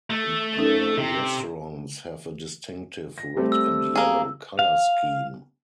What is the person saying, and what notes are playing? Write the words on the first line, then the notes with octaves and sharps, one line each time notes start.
The restaurants have a distinctive red-and-yellow color scheme.
A3
C#4 D#4 A4
C3
A#6
G3 A3 C4
E6
A#3 G#4
F5